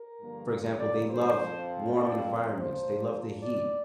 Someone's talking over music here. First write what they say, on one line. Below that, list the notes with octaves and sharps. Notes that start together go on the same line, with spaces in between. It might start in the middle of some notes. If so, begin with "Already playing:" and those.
for example, they love warm environments, they love the heat,
Already playing: A#4
G2 D3 F3 A#3
D5
C5
F2 F3 C4
D5
A#4
A#2 F3 A#3 C5
D5